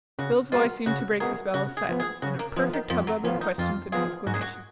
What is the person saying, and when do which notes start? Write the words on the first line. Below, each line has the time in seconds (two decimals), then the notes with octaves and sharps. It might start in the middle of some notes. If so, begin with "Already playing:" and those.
Phil's voice seemed to break the spell of silence, and a perfect hubbub of questions and exclamations began.
0.19 C#3 F#4
0.52 G#3 B3 F4 F#4 A#4
0.86 C#3 F#4
1.20 G#3 B3 F#4 G#4 A#4
1.54 C#3 F#4
1.77 G#4
1.89 F3 B3
2.00 G#4
2.22 C#3 F#4
2.39 A#3
2.56 F3 G#3 B3
2.73 D#3
2.90 F2 F3
3.07 F#3
3.24 F3 B3 C#4 F4
3.41 D#4
3.58 F2 F4
3.92 F3 B3 F4 G#4
4.26 G#2 F#4
4.34 G#4
4.41 F#4